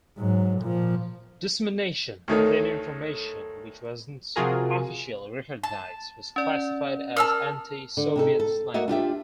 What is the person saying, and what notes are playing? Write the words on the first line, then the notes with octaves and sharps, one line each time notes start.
Dissemination of any information which was not officially recognized was classified as "Anti-Soviet slander".
G#2 F#3
A#2 F3
D2 D#3 D#4 A4 C#5
C3 F3 F4 F#4 G#4 A#4
A5
C#4 D5
A#4 A5 E6 F6
D3
C3 D#4 A4
A4
A#3 F#4 D#5 E5
D4 F4 G4 E5